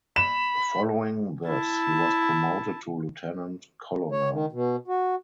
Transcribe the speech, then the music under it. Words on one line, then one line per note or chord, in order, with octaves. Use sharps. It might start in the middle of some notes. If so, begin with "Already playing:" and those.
Following this he was promoted to lieutenant colonel.
B5 E7
E4 A5
C#5
D#3
B2
F#4